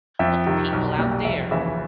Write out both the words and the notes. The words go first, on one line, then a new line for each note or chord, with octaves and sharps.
But the people out there
F2 E5
C3 D#3
B1
A#2 G3
F1 E5
D#2 C#3 E3 E5